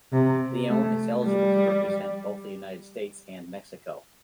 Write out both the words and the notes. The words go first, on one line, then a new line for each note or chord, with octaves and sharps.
Leone is eligible to represent both the United States and Mexico.
C3
A3
G3